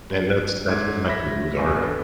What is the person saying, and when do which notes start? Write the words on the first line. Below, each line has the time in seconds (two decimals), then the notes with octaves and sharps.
And that's that's what my feelings are.
0.68 G#2 G#6
1.08 E5 B5 A#6 B6
1.59 G2 B2 G#5
1.82 A4 B4